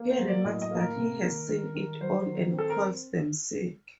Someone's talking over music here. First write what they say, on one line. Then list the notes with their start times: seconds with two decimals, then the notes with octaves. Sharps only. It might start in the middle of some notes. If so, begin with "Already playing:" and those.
He remarks that he has seen it all and calls them "sick".
Already playing: A#3
0.10 C5
0.18 F#3
0.28 D5
0.45 A2 D#5
0.62 D#5
0.71 A#3
0.79 A#4
0.96 C3
1.23 D#3
1.49 D#3
1.75 D#3
2.00 F#3 C5
2.26 D#3
2.53 C4
2.58 A4
2.70 A#4